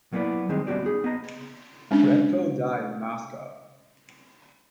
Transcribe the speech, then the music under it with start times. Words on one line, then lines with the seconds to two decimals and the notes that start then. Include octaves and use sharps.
Red'ko died in Moscow.
0.13 F#3 A#3 B3 E4 D5
0.49 D#3 G3 G#3 C4 D#4
0.67 G3 B3 C#4 F#4 G4 D5
0.83 B3 D#4 G#4
1.04 B3 D#5 A#5
1.91 G#3 C#4 D4